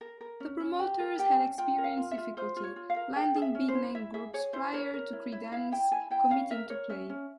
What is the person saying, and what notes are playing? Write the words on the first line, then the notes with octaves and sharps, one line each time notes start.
The promoters had experienced difficulty landing big-name groups prior to Creedence committing to play.
A#4
A#4
C#4
C#4
G4 G5
A#4
G4 G5
C#4
F4 G5
A#4
F5
F4
E5
F4
F4 C5
F4
C#5
F4
F5
A#4
G#4 G5
G#4
E5
C#4
C5
E4
E4 E5
G#4 E5
G#4 C#5
E4 C5
A#4 C#5
A#4
E4
E4
E4 F5
E4 G5
E4 G#5
E4 G5
C#4 F5
A#4 E5
A#4 C#5
C#4 E5
C#4